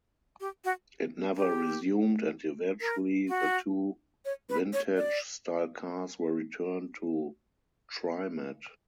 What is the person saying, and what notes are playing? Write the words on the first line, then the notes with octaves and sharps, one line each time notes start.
It never resumed, and eventually the two vintage-style cars were returned to TriMet.
G4
F#4
G4
A#4
F#4
C#5
B4
C#5
D5